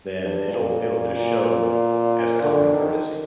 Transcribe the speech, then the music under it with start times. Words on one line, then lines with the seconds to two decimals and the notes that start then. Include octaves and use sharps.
then it'll it'll just show as common courtesy,
0.20 G2
0.52 A#2
1.16 A#2
2.43 D3
2.73 D#3